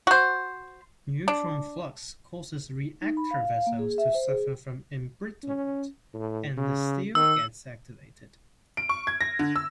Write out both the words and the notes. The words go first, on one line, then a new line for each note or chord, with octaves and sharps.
Neutron flux causes reactor vessels to suffer from embrittlement and the steel gets activated.
F#4 C5
D4
D#4
B5
F5
F5
A#3
G#4
E5
C5
G#4
C#4
A2
C#3
D#3 E6
D7
C#6
G#6
A#6
D3
E6